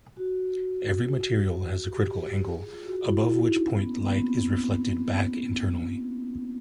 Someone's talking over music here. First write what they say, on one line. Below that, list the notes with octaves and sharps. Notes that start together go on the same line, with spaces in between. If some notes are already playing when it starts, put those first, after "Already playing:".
Every material has a critical angle, above which point light is reflected back internally.
F#4
G4
G#4
F4
F#4
E4
E4
D#4
C#4
B3
A#3
B3
C4